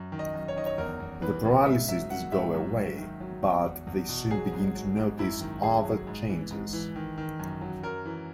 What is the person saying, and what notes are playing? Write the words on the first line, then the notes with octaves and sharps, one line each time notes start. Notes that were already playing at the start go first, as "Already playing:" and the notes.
The paralysis does go away, but they soon begin to notice other changes.
Already playing: F#2
D#3
D#5
F#2
C#5
D#3 D#5
C#5
E2 A#4
E2
E3 B4
C#3
G#2 E5
F#3 E5
F#3 F#5
G#2 E5
F#2
F#2
D#3
F#3
E2
E2
E2
B2
F#3 G#4
G#2
F#3
G#2
F#2 E4
D#3
F#2 G#4
F#3
G#2
E3
G#2
E3
D#3
D#3
F#2
F#3
F#2 A#4
E3